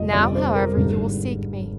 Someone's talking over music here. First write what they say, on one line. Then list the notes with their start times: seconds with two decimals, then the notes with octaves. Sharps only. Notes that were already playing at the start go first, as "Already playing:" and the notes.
Now, however, you will seek me.
Already playing: G1 F2 C3 D#5
0.13 G1 F2 C3 D5
0.35 C5
0.55 A#4
0.76 G#1 G2 D3 G#3